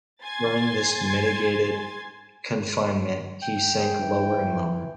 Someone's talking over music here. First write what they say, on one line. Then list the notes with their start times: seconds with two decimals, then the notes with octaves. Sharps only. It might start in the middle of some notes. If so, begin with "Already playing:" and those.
During this mitigated confinement he sank lower and lower.
0.22 G#5 C6 G#6 A6
3.42 G5
3.79 G#4
4.02 E3